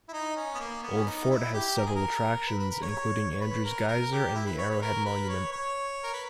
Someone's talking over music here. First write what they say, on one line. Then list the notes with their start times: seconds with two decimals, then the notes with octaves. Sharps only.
Old Fort has several attractions, including Andrews Geyser and the Arrowhead Monument.
0.09 E4
0.13 D#4
0.36 C#4
0.55 B3
0.60 A#3
0.83 B3
0.95 C#4
1.07 D#4
1.30 E4
1.54 G4
1.78 A#4
1.86 G#4
1.96 A#4
2.47 B4
2.59 B4
2.71 A#4
2.83 C#5
3.31 C#5
3.41 B4
3.65 A#4
3.88 A#4
4.12 G4
4.35 E4
4.46 B4
4.59 C#5
4.70 B4
4.82 A#4
5.06 B4
5.29 C#5
5.52 C#5
6.03 A#4
6.13 B4